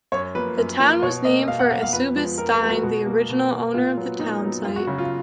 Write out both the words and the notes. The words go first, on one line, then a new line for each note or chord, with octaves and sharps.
The town was named for Eusebius Stine, the original owner of the town site.
F#2 C#5
F3 A#3 B4
F#2
F3 A#3
B2 C#5
A#3 D#5
B2 F5
F#5
A#3 F5
F5
F2 B4
F3 G#3 B3
F2 A#4
A#4
F3 G#3 B3
F#4
B2
A#3
B2
A#3
A#2 F4
F#3 B3
A#2 D#4
F#3 B3
F#2 F4
F#4
C#3 F#3 F#4
F4